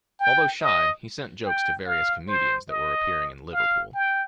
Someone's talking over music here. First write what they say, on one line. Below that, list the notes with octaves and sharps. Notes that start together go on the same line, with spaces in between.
Although shy, he sent jokes to various comedians that were appearing in Liverpool.
G5
D#5
G5
F5
C5
D#5
F5
G5